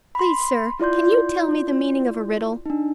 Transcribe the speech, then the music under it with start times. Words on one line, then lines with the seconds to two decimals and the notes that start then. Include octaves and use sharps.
"Please, sir, can you tell me the meaning of a riddle?"
0.15 B5 C6
0.80 E4 F4 D5 C6 G6
2.66 D4 D#4